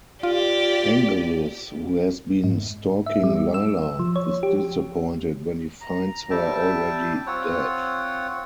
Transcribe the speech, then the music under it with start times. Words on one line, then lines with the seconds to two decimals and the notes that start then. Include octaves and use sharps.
Angelus, who has been stalking Lilah, is disappointed when he finds her already dead.
0.23 F4 G4 D5
2.44 G#2
3.06 E5
3.24 G3
3.54 E6
3.99 F3
4.16 C#5
4.43 G4
5.81 A#5
6.30 G3 E5 G5 A5
7.27 C4 F4 C#5 F#5